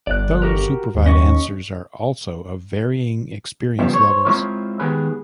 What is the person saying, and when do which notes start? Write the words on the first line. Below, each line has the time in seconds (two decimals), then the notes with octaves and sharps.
Those who provide answers are also of varying experience levels.
0.07 G1 D5 F#6
0.42 F#4 G4 A#4
0.94 D#2
1.06 C#4 D#5 C#6
3.79 C#3 F3 G3 B3
3.94 C5 C#5
4.25 G#3 C4 E4 F4 A#4 C#5
4.79 D#3 G#3 B3 G4 G#4 B4